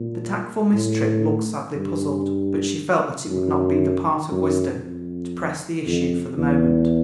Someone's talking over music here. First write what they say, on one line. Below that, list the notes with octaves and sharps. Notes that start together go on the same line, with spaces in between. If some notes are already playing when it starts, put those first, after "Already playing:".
The tactful Miss Tripp looked sadly puzzled, but she felt that it would not be the part of wisdom to press the issue for the moment.
Already playing: A#2
A2
G2
F#2
F#2
F2
F2
E2